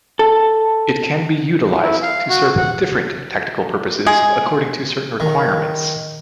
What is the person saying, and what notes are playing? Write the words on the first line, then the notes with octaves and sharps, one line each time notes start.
It can be utilized to serve different tactical purposes according to certain requirements.
A4
E4
F5
F#4
F#5
G#3 G#4
D#3